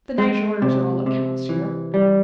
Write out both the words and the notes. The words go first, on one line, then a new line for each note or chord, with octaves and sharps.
The Nyjorders are all that counts here.
G#3
C3
C3
E3
G3